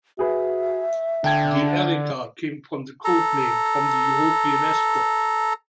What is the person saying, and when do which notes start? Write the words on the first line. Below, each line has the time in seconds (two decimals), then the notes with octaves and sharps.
The "Erika" came from the code-name from the European Escort.
0.19 F#4 G#4 B4 E5
1.24 D3 D4 G5 A5 G#6
3.05 A4 A#5